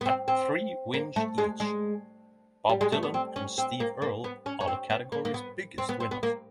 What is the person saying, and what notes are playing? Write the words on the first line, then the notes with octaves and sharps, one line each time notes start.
At three wins each, Bob Dylan and Steve Earle are the category's biggest winners.
B3
C4
C4
A#3
A3
G#3
G#3
G3
G#3
A3
B3
C4
C#4
C4
A#3
A#3
B3
C#4
C#4
C4
B3
A#3
A#3
B3
C4
B3
C4
B3
A#3